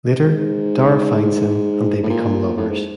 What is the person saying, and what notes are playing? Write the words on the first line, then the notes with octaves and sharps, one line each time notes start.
Later, Dara finds him, and they become lovers.
G#2
A2
A#2
A2
G#2